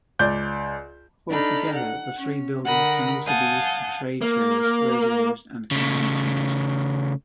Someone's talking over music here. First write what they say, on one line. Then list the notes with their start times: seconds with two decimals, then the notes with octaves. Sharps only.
Altogether, the three buildings can also be used for trade shows, rodeos and conventions.
0.19 C#2 D5 G6
1.30 D4 D#4 A4 B5 F6
1.74 F#5
2.18 C#4
2.65 D3 A#4 F#5 B5 D#6
3.25 F5 F#5 G#5 A5 D#6 G6
4.21 A#3
5.71 C#3 A3